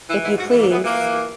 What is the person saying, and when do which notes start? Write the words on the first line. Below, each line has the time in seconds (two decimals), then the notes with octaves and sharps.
If you please.
0.08 E3 E4
0.23 G#2 E4
0.38 G#2 F#4
0.50 E4
0.53 E3
0.61 A#3
0.68 E3 B3
0.84 E3 A#3
0.99 E3